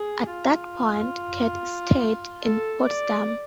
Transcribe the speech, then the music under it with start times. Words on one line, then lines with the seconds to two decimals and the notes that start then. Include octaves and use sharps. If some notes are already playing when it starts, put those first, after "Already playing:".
At that point Katte stayed in Potsdam.
Already playing: G#4
0.31 F4
2.42 A4
2.86 D5